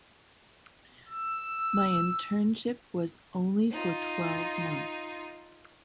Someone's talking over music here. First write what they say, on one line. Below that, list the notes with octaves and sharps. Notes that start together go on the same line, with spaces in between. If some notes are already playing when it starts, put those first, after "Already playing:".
My internship was only for twelve months.
E6
D#4 F4